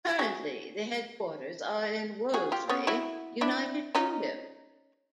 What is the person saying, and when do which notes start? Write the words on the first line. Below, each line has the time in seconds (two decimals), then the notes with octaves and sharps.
Currently the headquarters are in Worsley, United Kingdom.
0.19 F#4 G#4
2.34 F#4 G#4
2.52 F4 G4
2.69 B3 C#4
2.87 E4 F#4
3.41 D4 E4
3.95 C#4 D#4